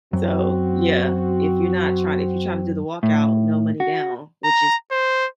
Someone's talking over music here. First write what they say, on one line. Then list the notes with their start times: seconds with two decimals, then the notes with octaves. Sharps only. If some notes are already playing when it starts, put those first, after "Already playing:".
so yeah, if you're not trying if you're trying to do the walkout, no money down, which is,
0.13 F#2 C4 F#4
3.03 A2
3.80 F#4
4.44 A#5
4.91 C5